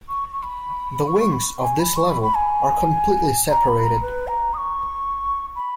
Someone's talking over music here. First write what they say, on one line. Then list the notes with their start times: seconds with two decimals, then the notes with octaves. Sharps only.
The wings of this level are completely separated.
0.09 C#6
0.32 C#6
0.43 B5
0.95 B5
1.07 C#6
1.20 C#6
1.33 B5
1.62 G#5
1.79 B5
1.97 C#6
2.10 B5
2.23 B5
2.35 G#5
3.50 A#5
3.68 B5
3.85 A#5
4.02 B4
4.28 A#5
4.54 D#6
4.58 C#6
5.56 B5